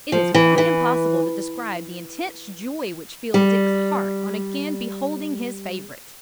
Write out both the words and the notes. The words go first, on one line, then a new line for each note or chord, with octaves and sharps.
It is quite impossible to describe the intense joy which filled Dick's heart on again beholding his favourite.
F3
E3
E3
G3